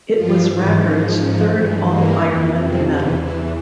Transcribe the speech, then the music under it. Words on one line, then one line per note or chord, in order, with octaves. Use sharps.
It was Rackard's third All-Ireland medal.
G2 F3 F4
G#2 E3
G#2 F3 C#4
G#2 F3 C#4
G2 E3 G#3
G2 E3 A#3
F2 E3
F2 C3 F3
E2 C3 E3 C4
E2 E3 E4